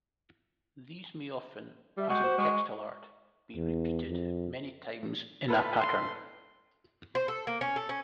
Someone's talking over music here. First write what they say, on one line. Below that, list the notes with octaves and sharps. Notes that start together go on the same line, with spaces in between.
These may often, as in textile art, be repeated many times in a pattern.
G3 E5
G#3 F#4 G4
C5
G#3 C#6
E2
F2
F4 A4 B4 B5 F6
C6
C5
A4
A#3
C#4
A4
C#4